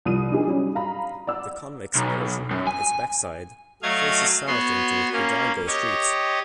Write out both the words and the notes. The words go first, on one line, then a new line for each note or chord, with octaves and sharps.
The convex portion, its backside, faces south onto Hidalgo Street.
C2 F3 D#6 D#7
D4 D#4 G4 G#4
F#3 G3 C#4
F5 A#5 B5
D5 F#5 E6
B1
F#2
G#5
F#3 A3 D#5 F5 G#6
B3 F#4 C#5 C6
A#3 C#4
G4 C#5 D#5